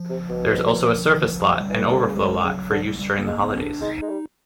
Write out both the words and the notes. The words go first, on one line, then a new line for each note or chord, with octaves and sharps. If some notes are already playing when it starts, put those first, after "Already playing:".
There is also a surface lot and overflow lot for use during the holidays.
Already playing: F3
C3
B2
D#3
E3
F3
G3
E3
D#3
D3 G3
C#3
C3 G#3
C#3 F#3
D3 G3
F#3
G3
G3
A#3
G#3
B3
C#4
D4
G#3 D#4
G#3
G3